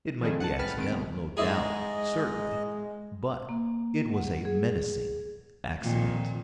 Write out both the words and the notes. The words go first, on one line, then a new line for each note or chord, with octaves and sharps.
It might be accidental, no doubt, certainly, but it was a menacing accident.
D#3 F3 G3 C4 G#4 A4
F#5 A5
A1 G3 G#4 B4 A5 F6
D#3 G#3 C4 D7
B2
G#2 G#3 E4 G#4 D#5
A#3
F#5
G#4
F2 A#2 D#3